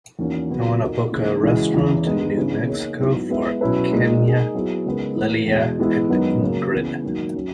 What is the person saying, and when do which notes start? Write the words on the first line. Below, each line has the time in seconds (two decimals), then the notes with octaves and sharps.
I want to book a restaurant in New Mexico for kenya, lilia and ingrid.
0.19 E2 D#3 A#3 C#4 F#4
0.50 C#3 F#3 B3 F#4
0.81 A#2 A#3 D#4 F#4
1.12 C#3 E3 A#3 D#4
1.43 C#3 E3 G#3 C#4 F#4
1.74 E2 C#3 E3
2.05 D#3 G#3 B3 D#4
2.37 C#3 E3 B3
2.67 A#3 D#4 G#4 C#5
2.99 G#2 F#3 B3 E4 B4
3.30 G#3 B3 E4 B4 E5
3.61 B2 F#3 C#4 E4 B4
3.92 A#2 G#3 D#4
4.23 A#3 D#4 G#4
4.54 F#3 B3 E4 G#4
4.86 C#3 G#3 B3 D#4 A#4
5.16 E3 A#3 E4 B4
5.47 E2 B2 G#3
5.79 E3 G#3 B3 E4
6.10 F#2 D#3 G#3 B3 D#4
6.41 C#3 F#3 A#3
6.72 C#3 E3 B3
7.03 G#2 D#3 F#3 A#3
7.34 F#3 C#4